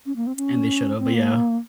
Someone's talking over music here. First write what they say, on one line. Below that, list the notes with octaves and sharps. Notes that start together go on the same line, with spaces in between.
And they should've, but yeah.
C#4
A#3
C4
C#4
C4
A#3